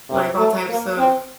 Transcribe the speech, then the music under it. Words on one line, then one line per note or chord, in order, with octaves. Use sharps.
like, all types of
C3
A3
A#3
C4